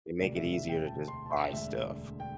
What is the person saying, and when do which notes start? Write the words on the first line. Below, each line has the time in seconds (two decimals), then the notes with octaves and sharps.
they make it easier to just buy stuff.
0.19 E1 D2 C3 D5
0.36 E5
0.53 E5
0.69 G5
0.87 A5
1.08 C6
1.26 A5
1.31 G5
1.53 E1 D2 D3 E5
2.20 G5